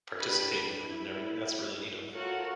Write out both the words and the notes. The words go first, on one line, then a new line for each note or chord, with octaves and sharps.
Participate in the wreath and everything, that's really neato.
D4 G4 B4 B5
E4
F4 F#4 A4 A#4 C#5 F#5